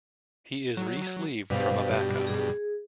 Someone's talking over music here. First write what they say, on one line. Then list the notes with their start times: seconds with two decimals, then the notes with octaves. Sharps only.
He is resleeved from a backup.
0.77 F#3
1.50 G2 B2 G3 B4 C5 F5
1.91 G4
2.27 G#4